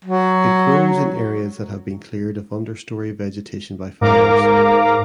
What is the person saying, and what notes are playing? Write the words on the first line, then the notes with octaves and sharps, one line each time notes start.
It grows in areas that have been cleared of understory vegetation by fires.
F#3
G#2 A#4 F5 A#5 D6